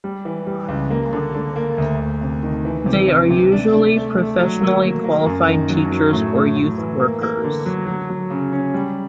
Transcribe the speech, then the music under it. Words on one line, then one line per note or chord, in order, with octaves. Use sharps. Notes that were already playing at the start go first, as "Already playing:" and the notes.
They are usually professionally qualified teachers or youth workers.
G3
E3
G3
C#2
A#3
D3
D3
A#3
D2
D2
C3
D#3
E3
C3
C3
C3
D4
D4
A3
A3
F#3
A#3
A#3
A#3
F#2
D#3
F#3
F#3
A2
A2
A2
E3
A#3
A#3
D3
F#3
F#3
F#3
C#3
C#4
G3